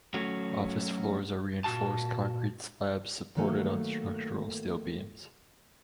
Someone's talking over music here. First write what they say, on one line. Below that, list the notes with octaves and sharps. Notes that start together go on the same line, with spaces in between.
Office floors are reinforced concrete slabs supported on structural steel beams.
F#3 A3 C#4 F#4
A#2 F#4 A5
D#3 F#3 A3 A#3